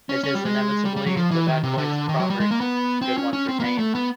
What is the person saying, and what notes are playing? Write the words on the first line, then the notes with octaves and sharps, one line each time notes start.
It is inevitably the bad coins proffered, good ones retained.
C#4
C#4
G3
G#3
G3
G3
F#3
F3
E3
D#3
C3
D3
D#3
F#3
G3
G#3
A#3
B3
C4
C#4
C#4
C4
A#3
B3
A3
B3